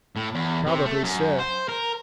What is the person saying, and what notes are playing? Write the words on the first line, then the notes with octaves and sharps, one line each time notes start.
Probably so.
A2
E2
C3
A3
F#2
C5
A#4